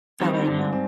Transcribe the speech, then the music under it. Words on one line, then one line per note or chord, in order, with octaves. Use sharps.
Oh, I know,
D#3 G3 C4
D#3 G3
G2 D3
G#2
C4